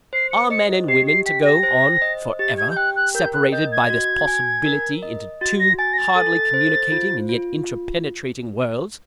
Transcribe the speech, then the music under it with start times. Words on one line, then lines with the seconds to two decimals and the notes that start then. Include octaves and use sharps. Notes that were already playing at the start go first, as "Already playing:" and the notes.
Are men and women to go on for ever--separated by this possibility into two hardly communicating and yet interpenetrating worlds?
0.13 C5 C7
0.31 C#7
0.50 D#5 C#7
0.88 G4 C7
1.07 C7
1.26 G5 B6
1.45 A#6
1.63 C5
2.02 D#5
2.39 G4 A6
2.57 G#6
2.70 G6
2.76 G5 F#6
2.96 F#6
3.15 A#4 G6
3.33 F#6
3.52 D#5 G6
3.72 G#6
3.90 F#4
4.27 G#5
4.66 A#4
5.02 D#5
5.41 F#4 A6
5.59 A#6
5.78 G#5 A6
5.93 A#6
5.97 A6
6.16 A4
6.54 C5
6.92 F4
7.29 F4